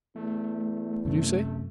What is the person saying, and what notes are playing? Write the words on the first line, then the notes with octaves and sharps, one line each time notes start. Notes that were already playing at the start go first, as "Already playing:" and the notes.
"What did you say?"
E2 A3
F#2 C3 A3